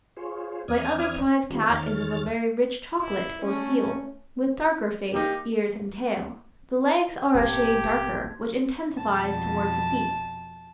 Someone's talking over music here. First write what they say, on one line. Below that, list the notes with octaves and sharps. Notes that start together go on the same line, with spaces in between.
My other prize cat is of a very rich chocolate or seal, with darker face, ears, and tail; the legs are a shade darker, which intensifies towards the feet.
F4 G#4 C5 C#5
E2 C4 D5 D#6 F6 G#6
D#3 G3 C4 F4
E2 D#3 C#5 F6 A6
E4
A3 C#4
A#3 D#4 G4
G1 A#2 A3 A#3 G4 A5 C6 G#6
F2 B2 A5